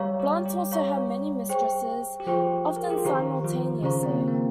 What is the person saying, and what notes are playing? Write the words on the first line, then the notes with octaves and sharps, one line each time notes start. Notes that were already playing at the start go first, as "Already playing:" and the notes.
Blunt also had many mistresses, often simultaneously.
Already playing: G3 G4 C#5 F5 A#5 C#6
G3 G4
G3 G4
C#5 F5 A#5 C#6
G#4 C5 G5 C#6
G4
F3 F4 G#4 C5 G5 C#6
A#4
G#4
G4
F4
D#3 D#4 G4 C5 F5 A#5 C#6
F3 F4
C#3 C#4 G4 C5 F5 A#5 C#6
C4
A#3
A#3
C4